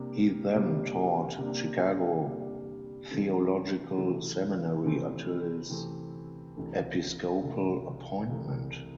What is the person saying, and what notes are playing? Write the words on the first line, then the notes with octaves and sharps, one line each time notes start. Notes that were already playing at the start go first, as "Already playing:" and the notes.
He then taught Chicago Theological Seminary until his episcopal appointment.
Already playing: C3 G3 A#3 D4
C3 G3 A#3 D4
C3 G3 A#3 D4
C3 G3 A#3 D4
C3 E3 A3 C4
C3 E3 A3 C4
C3 E3 A3 C4
C3 E3 A3 C4
C2 C3 E3 A3
C2 C3 E3 A3
C2 C3 E3 A3